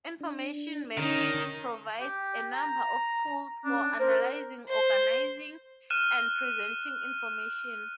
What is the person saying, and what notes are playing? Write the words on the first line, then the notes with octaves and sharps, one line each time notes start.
Information mapping provides a number of tools for analyzing, organizing and presenting information.
D4
D3 D#3 C#4 D#4
G4
A#5
C#4 D4
A#4 C5
C5
F6 F#6 D#7 E7